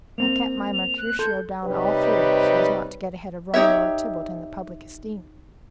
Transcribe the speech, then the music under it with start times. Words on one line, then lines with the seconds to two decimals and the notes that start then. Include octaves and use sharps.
I kept my Mercutio down all through, so's not to get ahead of Romeo or Tybalt in the public esteem.
0.18 A#3 C4 F7
0.98 F#6
1.19 A4 C6 G6
1.64 C3 G3 D#4 G4 B4 C#5
3.54 D#4 G4 C#5 E5